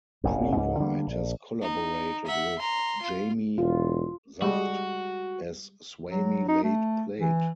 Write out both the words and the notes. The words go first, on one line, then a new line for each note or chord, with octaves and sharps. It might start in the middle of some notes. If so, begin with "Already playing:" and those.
Previte has collaborated with Jamie Saft as Swami Late Plate.
E1 A1 F#2
C#2 G#2
D3 G3 A3 A#3
A#1
D#4
E5 F#5
A#5 C6
F4
E1 F4
G3 G#3 F#4
F#3
D#4
A3
E3